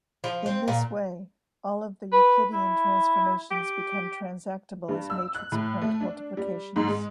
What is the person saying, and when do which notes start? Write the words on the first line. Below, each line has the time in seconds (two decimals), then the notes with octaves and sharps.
In this way, all of the euclidean transformations become transactable as matrix point multiplications.
0.24 F3
0.46 C4
0.68 A#2
2.12 B4
2.53 E4
3.51 G4
4.88 G2
5.10 E6
5.34 F#6
5.52 A2
5.81 A3
6.01 D4
6.37 G3
6.76 G#2
6.87 G#3